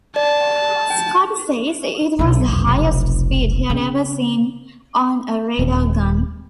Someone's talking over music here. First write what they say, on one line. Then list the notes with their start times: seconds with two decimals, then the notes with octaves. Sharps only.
Scott says it was the highest speed he'd ever seen on a radar gun.
0.16 D5 A5
0.90 G5
2.19 B1 D#4
2.48 F1 B1
3.70 C#3 C4
5.59 D#1